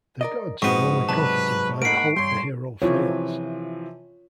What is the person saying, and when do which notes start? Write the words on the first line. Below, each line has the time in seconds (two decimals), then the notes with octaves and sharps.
The gods are only comforted by the hope the hero fails.
0.21 A#4 D5 D#5
0.62 G#2 F3 B3 C4 F#4 C#6
1.09 C3 F#3 B4 D5 A5
1.82 A#3 D#4 F#5 B5 C7 D7
2.16 G2 G3 C#5 C6
2.82 C3 E3 F3 F4 C#5